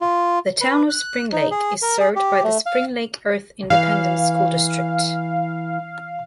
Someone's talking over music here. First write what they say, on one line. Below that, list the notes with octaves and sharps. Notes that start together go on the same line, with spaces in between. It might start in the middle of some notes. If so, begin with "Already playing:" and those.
The Town of Springlake is served by the Springlake-Earth Independent School District.
F4
B4
F#6
D#4
G#4
A#4
G#4
G4
A3
F5
E3 F5